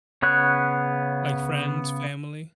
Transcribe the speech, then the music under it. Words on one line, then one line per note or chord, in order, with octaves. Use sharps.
Like, friends, family?
C#3 B3 C#5 F#6